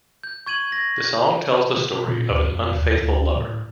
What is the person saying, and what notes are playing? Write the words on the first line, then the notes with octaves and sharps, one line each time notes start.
The song tells the story of an unfaithful lover.
G6
C#6 G#6 D#7 F#7
G#6 A#6
B2
A#2
D2
F2
D#2
D2
A2